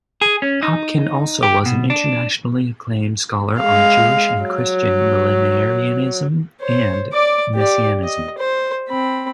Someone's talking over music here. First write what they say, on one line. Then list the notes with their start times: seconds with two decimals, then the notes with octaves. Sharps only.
Popkin also was an internationally acclaimed scholar on Jewish and Christian millenarianism and messianism.
0.22 G#4
0.42 C#4
0.63 D#4
1.43 G4
1.66 B2
1.90 D4
3.60 G#3 F5
4.42 F#3
6.62 C5 C#5
7.13 D5 D6
7.54 G4 D5
8.04 D#5
8.38 C5
8.89 C4 B5